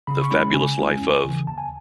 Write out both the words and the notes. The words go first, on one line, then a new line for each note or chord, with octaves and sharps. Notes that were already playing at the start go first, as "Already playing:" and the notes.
The Fabulous Life of...
C#3 B5
C#6
G#3 C#4 E4 B5
C#3 G#5
G#3 C#4 E4
D#2
C#3 E3
D#2 A5
G#5